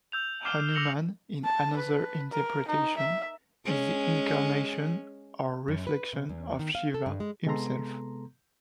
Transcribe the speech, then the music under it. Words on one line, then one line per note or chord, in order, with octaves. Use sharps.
Hanuman, in another interpretation, is the incarnation or reflection of Shiva himself.
E6 G6 F7
D6 F6 C7 E7 G7
D6 E6 A#6 C#7 F7 F#7
A5
B4
A#4
D#4
E5
G#3 C#4
F#2
B4
C3
E2
D#3
F5
A4
G2
G#3
C3 G#3 B3 A4 A#5 C6